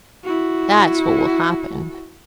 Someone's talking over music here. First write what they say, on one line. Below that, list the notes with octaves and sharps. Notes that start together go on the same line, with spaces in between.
That's what will happen.
E4 F#4